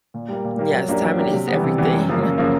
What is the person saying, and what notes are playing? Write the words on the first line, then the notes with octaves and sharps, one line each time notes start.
Yes, timing is everything, like
A#2
G3 A#3
A#2
G3 A#3
F#3
A#3 D4 G4 A#4
F#3
A#3 D4 G4 A#4
C3
E3 G3 B3
C3
E3 G3 B3
F#2
C#3 F3 A#3
F#2
C#3 F3 A#3